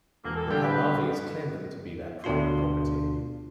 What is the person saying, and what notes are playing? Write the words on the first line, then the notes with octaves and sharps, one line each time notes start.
The Pahlavi's claimed them to be their private property.
E1 A#3
A4
D3 G3 G5
B4
D2 B2 D4 F4 C6